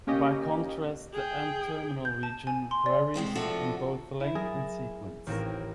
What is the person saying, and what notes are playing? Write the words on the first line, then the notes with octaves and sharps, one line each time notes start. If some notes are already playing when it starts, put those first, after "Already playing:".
By contrast, the N-terminal region varies in both length and sequence.
A#3 C#4 G4 D#5
G#4 G5
G6
A5
G#5
C6
D5
B2 G#3 C4 G4
C3 F3 D4 F#4 A4
E4
F#3 G#4 A#4 A6
A1 D#3 A#3 C4 A#4